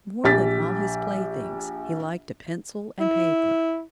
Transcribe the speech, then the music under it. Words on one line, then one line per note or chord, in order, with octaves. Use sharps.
More than all his playthings he liked a pencil and paper.
A#1 G4 A6 B6
E4